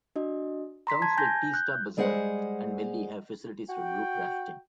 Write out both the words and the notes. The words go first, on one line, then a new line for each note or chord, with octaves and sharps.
Towns like Teesta Bazaar and Melli have facilities for group rafting.
D4 F#4 D#5
A#5 C6 B6
A5 G#6
G#5 G6 A#6
F#6 G6
G3 G#3 G#4 C5 F5 F#5
F#4 G5